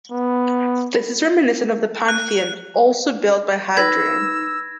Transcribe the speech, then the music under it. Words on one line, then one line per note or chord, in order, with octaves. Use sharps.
This is reminiscent of the Pantheon, also built by Hadrian.
B3
F#6
D#4 B4 E6 G#6 A#6